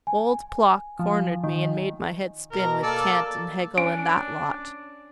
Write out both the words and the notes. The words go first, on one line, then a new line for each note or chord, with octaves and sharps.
Old Plock cornered me and made my head spin with Kant and Hegel and that lot.'
G#5
F3
D#3
B2 A#4
A#3 A4 D5
C#4 D4 D7